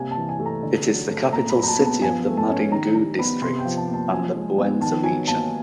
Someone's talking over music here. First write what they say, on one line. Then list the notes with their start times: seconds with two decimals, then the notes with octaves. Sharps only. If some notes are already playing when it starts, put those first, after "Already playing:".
It is the capital city of the Madingou District and the Bouenza Region.
Already playing: C3 G3 A#3 G#5
0.11 A5
0.17 E3
0.29 G#5
0.40 A3
0.46 A#5
0.63 D3
0.87 F#3
1.10 A3
1.32 A#2 A#5
1.50 B5
1.56 F#3
1.63 A#5
1.68 A5
1.79 B3
1.86 A5
2.02 F3 G#5
2.26 A3
2.37 A5
2.49 C#4
2.72 D#3 A#5
2.95 G3 A#5
3.19 B3 B5
3.41 C3 C6
3.59 G5
3.65 F3
3.77 A5
3.88 A#3
3.94 A5
4.12 F3 G#5
4.34 G#3
4.58 B3
4.80 D#3 A5
5.04 F#3 G#5
5.27 A#3 A5